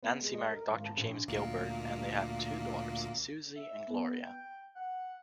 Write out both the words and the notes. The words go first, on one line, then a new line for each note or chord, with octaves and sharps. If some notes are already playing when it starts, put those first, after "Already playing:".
Nancy married Doctor James Gilbert and they had two daughters, Susie and Gloria.
B3
G#3
D#5
A#4
G#1
A5
A#1
D2 A#2 A#3
E5
B3
G5
F#5